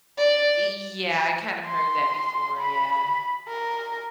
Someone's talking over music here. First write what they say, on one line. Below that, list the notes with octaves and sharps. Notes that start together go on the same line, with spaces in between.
Y yeah, I kinda heard that before, yeah.
D5
C6
B5
A#4